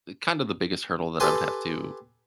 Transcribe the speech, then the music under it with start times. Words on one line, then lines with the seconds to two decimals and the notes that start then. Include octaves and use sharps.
kind of the biggest hurdle that I would have to,
1.20 G4 A4 B4 G5 G#5 C6